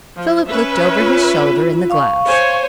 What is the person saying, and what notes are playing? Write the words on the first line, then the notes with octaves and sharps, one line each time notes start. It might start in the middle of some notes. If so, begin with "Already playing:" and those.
Philip looked over his shoulder in the glass.
F3
C#4 B4 E5
F4
F5 C#6
C5 C#5 G#5